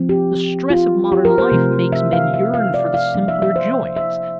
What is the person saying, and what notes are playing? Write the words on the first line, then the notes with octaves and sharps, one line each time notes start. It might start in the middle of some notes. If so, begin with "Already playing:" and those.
The stress of modern life makes men yearn for the simpler joys.
Already playing: F3 C4
G4
F4
G4
A#4
C5
C3 F3 A3 C4
E5
F5
E5
F5
D5
F5
F3 A#3 D4
E5
E5
C5
E5